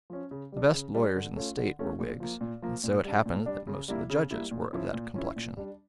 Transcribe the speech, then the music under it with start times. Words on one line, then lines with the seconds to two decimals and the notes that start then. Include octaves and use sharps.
The best lawyers in the State were Whigs, and so it happened that most of the judges were of that complexion.
0.10 F3 C#4
0.31 C#3
0.52 G3 D4
0.73 C#3
0.94 G3 D4
1.16 D3
1.37 A3 C#4 F4
1.57 D3
1.79 A3 C#4 F4
2.00 A#2
2.20 F3 A#3
2.41 A#2
2.62 F3 A#3
2.84 A#2
3.04 G3 D4
3.26 A#2
3.46 G3 D4
3.67 C#3
3.88 G3 A#3 E4
4.10 C#3
4.31 G3 A#3 E4
4.51 A#2
4.73 F3 C#4 E4
4.93 A#2
5.14 F3 C#4 E4
5.36 A#2
5.57 G3 D4